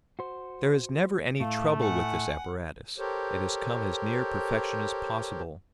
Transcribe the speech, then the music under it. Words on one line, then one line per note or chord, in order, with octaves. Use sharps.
There is never any trouble with this apparatus; it has come as near perfection as possible.
F#4 C5
A2 A3 F5
F#5 G#5
G4 A4 A#4 C5 C#5